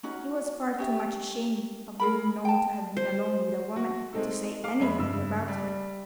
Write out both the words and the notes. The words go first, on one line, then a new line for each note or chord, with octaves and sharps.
He was far too much ashamed of being known to have been alone with a woman to say anything about her.
C#4 D#4 F#4
C#4 G4 E5
G#4 A#4 B5
G5 A5
C5
F#4
G#3 A3 C4 D#4 A4
F5 D6
F2 G#3 E5 B5
G2 C#3 E6
G3 G4